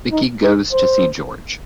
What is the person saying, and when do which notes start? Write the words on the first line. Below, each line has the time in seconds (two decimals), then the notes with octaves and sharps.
Vicky goes to see George.
0.12 D#4
0.43 D#4
0.72 C5